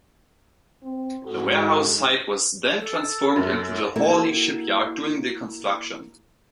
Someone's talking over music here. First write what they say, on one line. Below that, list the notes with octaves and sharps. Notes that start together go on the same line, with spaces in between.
The warehouse site was then transformed into the Hawley Shipyard during the construction.
C4
G#2 F#4 A4
A4
F#2
A#3 E4 F#4 G4 A4 E5